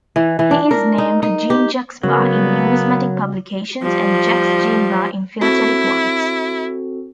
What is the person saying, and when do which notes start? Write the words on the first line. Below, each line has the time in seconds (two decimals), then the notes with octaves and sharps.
He is named "Jean-Jacques Barre" in numismatic publications and "Jacques-Jean Barre" in philatelic ones.
0.16 E3
0.39 E3
0.51 D4
0.71 A#4
0.98 D#4
1.23 D#4
1.50 G4
2.03 C#3 F#3 A#3 B3 F#4 A#4
3.82 F3 G3
5.41 C4 E4 F#4 A4